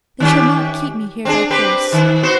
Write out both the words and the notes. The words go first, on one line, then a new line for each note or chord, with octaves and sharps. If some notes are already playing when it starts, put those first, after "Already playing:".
They shall not keep me here by force.
D#3 C#4 G4
C4 D4 G#4
C4 G4 B4
D#3
B3 F#4 C5